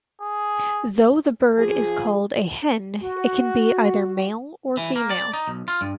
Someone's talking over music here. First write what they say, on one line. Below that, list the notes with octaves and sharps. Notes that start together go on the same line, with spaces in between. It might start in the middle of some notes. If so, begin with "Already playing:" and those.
Though the bird is called a "hen", it can be either male or female.
G#4
F3 F4 G#4
F#4
E3
A#3
D5
D#4
B1
F4
G2